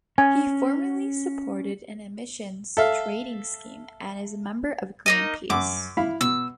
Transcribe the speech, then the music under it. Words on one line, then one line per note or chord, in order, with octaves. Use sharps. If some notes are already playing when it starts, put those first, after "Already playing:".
He formerly supported an emissions trading scheme and is a member of Greenpeace.
C#4 G#5
A4 E5 F5
A#3 D#4 D#5
F#2 D6
E4 F5 B5
B2 E6